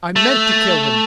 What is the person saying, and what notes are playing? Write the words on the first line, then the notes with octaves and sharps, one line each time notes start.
I meant to kill him.
A3